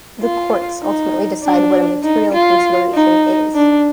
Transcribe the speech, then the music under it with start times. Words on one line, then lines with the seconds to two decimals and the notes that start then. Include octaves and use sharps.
The courts ultimately decide what a material consideration is.
0.22 F4
0.83 D#4
1.43 D4
2.03 D#4
2.33 F4
2.94 D#4
3.55 D4